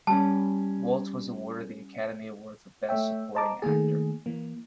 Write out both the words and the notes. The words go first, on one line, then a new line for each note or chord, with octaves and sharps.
Waltz was awarded the Academy Award for Best Supporting Actor.
G3 C#4 A5
A3 C#5 E5 G5
C5 D#5 A5 A#5 D6
D#3 A3 A#3 G#4
E3 A#3